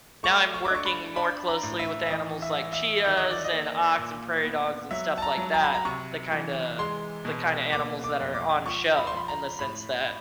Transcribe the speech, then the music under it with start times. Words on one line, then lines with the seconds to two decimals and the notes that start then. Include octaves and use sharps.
now I'm working more closely with animals like chias, and ox, and prairie dogs, and stuff like that. The kinda the kinda animals that are on the show, in the sense that,
0.23 A3 C#6
0.54 C#6
0.65 D6
0.71 D4 C#6
0.86 B5
1.16 D4 B5
1.48 A#5
1.63 A2
1.79 E5
2.06 E5
2.10 E3 D#5
2.42 E5
2.58 E3
2.73 E5
3.04 D#3 E5
3.17 D#5
3.31 D5
3.44 D#5
3.51 A#3
3.98 A#2
4.44 B3
4.91 F#3 E5
5.18 A5
5.22 A#5
5.38 F#3
5.54 A#5
5.63 B5
5.75 A#5
5.85 C3 C#6
6.32 E3
6.78 G#3 C6
7.25 B2
7.72 A#3 D6
8.04 D6
8.19 F2
8.34 D6
8.66 F3 C#6
8.97 B5
9.07 C6
9.13 F3 B5
9.28 A#5
9.59 A2 B5